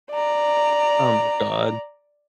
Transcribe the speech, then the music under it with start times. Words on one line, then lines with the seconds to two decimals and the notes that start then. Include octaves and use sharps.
Oh, my god.
0.11 D5 A#5